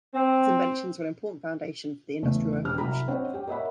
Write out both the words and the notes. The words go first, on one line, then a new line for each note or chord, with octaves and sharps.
His inventions were an important foundation for the Industrial Revolution.
C4
E2 C#3 A3
E1 G4 F6
C2 F#3 A#5 B5
C4 D4 C#5 D#5 F#5
G4 G5
A#4 C#5 D#5 E5 F#5 B5